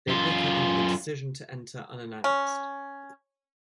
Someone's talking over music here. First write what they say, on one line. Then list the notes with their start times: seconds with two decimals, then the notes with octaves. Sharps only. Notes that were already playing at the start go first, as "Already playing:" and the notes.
They bicker over the decision to enter unannounced.
0.08 F#2 F4
2.24 C#4